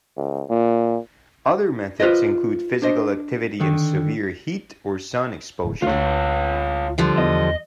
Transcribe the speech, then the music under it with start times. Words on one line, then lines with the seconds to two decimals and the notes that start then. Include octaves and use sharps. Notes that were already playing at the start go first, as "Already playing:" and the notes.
Other methods include physical activity in severe heat or sun exposure.
0.17 C#2
0.49 A#2
2.00 F4 B4 C5 D#5
2.82 D4 C5 D#5
3.60 D3 D#3
5.65 D1
5.82 D2 F4 C#5
6.98 D3 F3 G3
7.18 E2 D#5